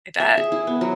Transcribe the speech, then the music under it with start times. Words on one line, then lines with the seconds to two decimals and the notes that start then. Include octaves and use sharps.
I bet.
0.20 E5
0.37 G#4
0.52 E4
0.67 B3
0.81 F#3